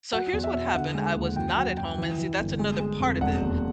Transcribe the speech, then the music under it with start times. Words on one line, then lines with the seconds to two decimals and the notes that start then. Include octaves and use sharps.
So, here's what happened, I was not at home, and see that's another part of it,
0.13 F#3 F#5
0.33 E2
0.44 E5
0.54 B2
0.75 D3 F#5
0.95 G#3
1.15 D#2
1.36 F#2 G5
1.56 F#3 F#5
1.77 F#2 G5
1.98 E3
2.18 E3
2.39 G1
2.59 G#3
2.80 G#3
3.00 F2
3.21 E1 F#5
3.42 D#2